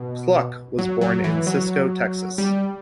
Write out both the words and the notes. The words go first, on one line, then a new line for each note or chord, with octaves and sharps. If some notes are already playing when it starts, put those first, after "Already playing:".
Cluck was born in Cisco, Texas.
Already playing: B2
F#3
F#3
E3
F#3
G3